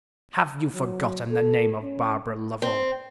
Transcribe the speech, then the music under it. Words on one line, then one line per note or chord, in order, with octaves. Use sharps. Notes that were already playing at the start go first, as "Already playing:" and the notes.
"Have you forgotten the name of Barbara Lovel?"
F#3
A4
C#4
C4